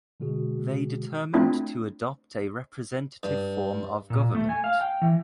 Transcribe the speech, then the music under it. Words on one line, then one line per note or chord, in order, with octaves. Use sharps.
They determined to adopt a representative form of government.
B2 D3 G#3 F#4 G#4
A3 C4 D4 E4 F4
G2
A#2
A3
G#5
F5
G5
E3